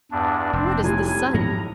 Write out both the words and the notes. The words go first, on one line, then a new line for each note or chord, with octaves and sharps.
What is the sun?
E2 G2 D4
F1 C4 D4
B1 A2 G3 G#5
G#2 F3 B3 A#5